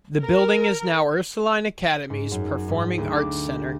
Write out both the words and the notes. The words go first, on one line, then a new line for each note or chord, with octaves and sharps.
The building is now Ursuline Academy's Performing Arts Center.
A#4
G#2
F#2
G#2
D#6
D2
D6
G4